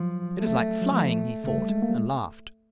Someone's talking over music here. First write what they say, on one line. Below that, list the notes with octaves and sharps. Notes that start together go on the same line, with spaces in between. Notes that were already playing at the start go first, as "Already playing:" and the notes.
"It is like flying," he thought and laughed.
Already playing: F3 F#3
A3
F#3
F3 A3
C#3 A3
G3
G#3
A#3
G3
G#3